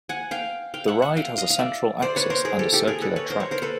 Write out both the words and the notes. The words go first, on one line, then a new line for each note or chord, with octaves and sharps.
The ride has a central axis and a circular track.
F#5 G#5
F5 G5
F5 G5
E5 F#5
E5 F#5
F5 G5
D#5 F5
F5
D5 E5
C5 D5
B4 C#5
A#4 C5
G#4 A#4
G4 A4
G4 A4
G#4 A#4
A4 B4
B4 C#5
A#4 C5
B4 C#5
A#4 C5
A4 B4